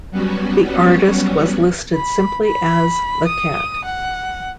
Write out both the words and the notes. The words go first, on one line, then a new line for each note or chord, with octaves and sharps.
The artist was listed simply as "The Cat".
F#3 G3 B3 C#4 F#4
B5
B5
D#6
F#5